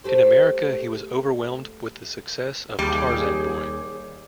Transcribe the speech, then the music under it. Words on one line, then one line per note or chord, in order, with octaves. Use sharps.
In America, he was overwhelmed with the success of "Tarzan Boy".
A3 G4 C5
D#2 G3 G#4